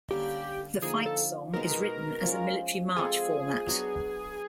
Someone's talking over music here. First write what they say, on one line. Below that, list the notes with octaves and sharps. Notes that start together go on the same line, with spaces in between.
The fight song is written as a military march format.
D3 G3 A#3 C#4 G4
D3 F3 A#3 D#4 G#4
A4
B2 G#3 B3 D#4 A#4
F3 G#3 C#4
G#3 C4 F4 G#4 A4
F#3 B3 D4 F#4